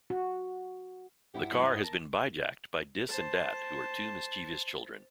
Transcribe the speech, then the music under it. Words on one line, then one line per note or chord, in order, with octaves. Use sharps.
The car has been bijacked by "Dis" and "Dat", who are two mischievous children.
F#4
G2 E4 G4 F#5
F#3 G#3 B3 B5
C#5 D#5
A#4 A5
C5 A5